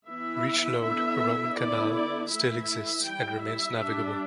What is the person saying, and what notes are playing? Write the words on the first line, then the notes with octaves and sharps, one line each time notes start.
Reach Lode, a Roman canal, still exists, and remains navigable.
E3 B3 E4 E5
D3 B3 E4 E5
D3 B3 E4 D5
D5
E3 A3 E4 E5
G3 E4 G5
E5
G3 D4